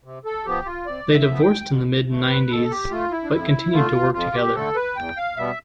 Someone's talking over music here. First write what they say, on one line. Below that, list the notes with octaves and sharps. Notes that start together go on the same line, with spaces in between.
They divorced in the mid-nineties but continued to work together.
C3
A4
F3 B3 G4
F4
C3 D5
E5
F3 B3
G5
B2
A3
B4
B2 A4
G4
A3 F4
E4
D4
F2 E4
D3 A3 F4
F2 F4
G4
D3 A3 A4
B4
E2 G5
F5
B2 G3 B3 E5